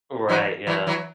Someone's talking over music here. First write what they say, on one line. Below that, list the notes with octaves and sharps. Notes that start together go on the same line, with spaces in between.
Right, yeah.
E3 F#3
E3 F#3
E3 F#3